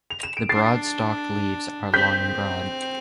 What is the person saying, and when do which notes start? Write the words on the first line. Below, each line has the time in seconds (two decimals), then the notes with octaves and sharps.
The broad-stalked leaves are long and broad.
0.10 F7
0.23 E7
0.37 D7
0.49 D4 A6 C7
1.94 C4 G6 B6